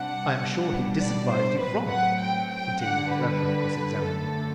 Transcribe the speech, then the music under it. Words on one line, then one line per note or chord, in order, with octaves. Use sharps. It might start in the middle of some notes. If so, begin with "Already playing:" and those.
"I am sure he disadvised you from it," continued the reverend cross-examiner.
Already playing: C3 G3 D4 F#5
B2 G3 D4
D5
C5
A2 F#3 C4 B4
F#5
G5
G5
D3 G3 D4 F#5
B4
F#2 D3 A3 A4